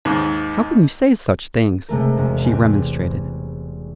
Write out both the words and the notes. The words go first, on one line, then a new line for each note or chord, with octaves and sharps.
"How can you say such things!" she remonstrated.
D#2 G#2
C3 G#3 A3 A#4
E1 G#3
C4 G4 B4 G#5